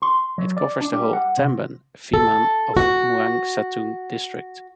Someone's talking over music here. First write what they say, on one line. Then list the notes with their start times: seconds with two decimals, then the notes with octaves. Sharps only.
It covers the whole "tambon" Phiman of Mueang Satun district.
0.02 C6
0.38 F#3
0.57 D5
0.81 D4
0.93 G3
1.13 F#5
1.38 C3
2.14 A4
2.77 F#4